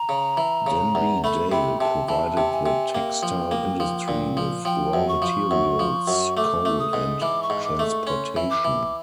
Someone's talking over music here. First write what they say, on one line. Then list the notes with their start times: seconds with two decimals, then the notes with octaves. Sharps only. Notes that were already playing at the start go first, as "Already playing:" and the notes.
Denby Dale provided the textile industry with raw materials, coal, and transportation.
Already playing: A#5
0.09 C#3
0.37 E3
0.67 C#3
0.95 E2
1.24 A3 B5
1.52 C3 B5
1.80 C3 A5
2.08 E3 A5
2.37 C3
2.52 G#5
2.66 C3
2.94 A#3 G5
3.23 F3
3.51 A#3
3.80 F3
4.08 A#2
4.37 F3
4.65 F3 G5
4.94 F#2
5.09 C#6
5.22 F3
5.51 F#2
5.79 F3
6.08 F#2
6.37 A3 D6
6.65 A3
6.79 D#6
6.93 G#2
7.22 E3 D6
7.43 C#6
7.50 G#2
7.64 D6
7.79 A3
7.86 C#6
8.07 C#4 C6
8.36 E3
8.50 D6
8.65 E3